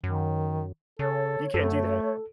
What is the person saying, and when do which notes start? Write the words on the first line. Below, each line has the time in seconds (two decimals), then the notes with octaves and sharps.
You can't do that.
0.04 F#2 D#3
0.99 C#3 A4 C#5
1.54 F#2 A3 A4